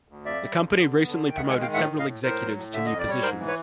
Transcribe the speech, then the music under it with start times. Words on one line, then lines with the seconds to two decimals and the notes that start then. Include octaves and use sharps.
The company recently promoted several executives to new positions.
0.08 D2
0.25 F2 D5 E5
0.42 G3
0.58 F2
0.75 D3
0.92 B3
1.08 D3
1.25 D#3 G5
1.37 E5 F#5
1.41 G#3
1.49 F#5 G#5
1.58 D#3 F5 G5
1.74 A2 E5 F#5
1.91 A2
1.99 D#5 F5
2.07 A2
2.23 A2 A#4 C5
2.40 F#3
2.56 A2
2.74 D3 E5
2.86 F2 D#5
2.98 D5
3.06 G3 C#5
3.22 G#2 A#4 C5
3.39 E3
3.47 B4 C#5